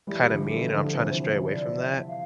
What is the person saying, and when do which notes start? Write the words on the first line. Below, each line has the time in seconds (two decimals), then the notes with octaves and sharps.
kinda mean, and I'm trying to stray away from that.
0.07 E3 G3 G4
0.29 D3 F3
0.50 E3 G3 A4
0.72 D3 F3
0.93 C3 E3 C5
1.22 C5
1.51 D5
1.80 E5
2.09 F5